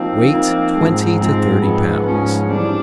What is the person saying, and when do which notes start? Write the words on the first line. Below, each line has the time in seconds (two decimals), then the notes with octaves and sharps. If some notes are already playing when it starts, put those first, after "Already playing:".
Weight twenty to thirty pounds.
Already playing: F3 A#3 C4 D#4
0.32 F3 A#3 D#4
0.76 G#2 F3 G#3
1.18 G#2 F3 G#3 C4
1.62 G#2 F3 G#3 B3
2.06 G#2 F3 G#3 C#4
2.50 A2 E3 G3 C4 D4